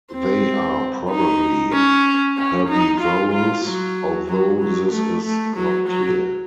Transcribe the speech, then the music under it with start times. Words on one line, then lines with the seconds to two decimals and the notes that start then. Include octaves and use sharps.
They are probably herbivorous, although this is not clear.
0.14 C4
1.09 D#4
1.73 C#4
2.37 C#4
2.69 D#4
3.00 F4
3.32 F4
3.65 F#3
4.29 F#3
4.60 F#3
4.92 A3
5.24 A3
5.56 F#3
5.88 F#3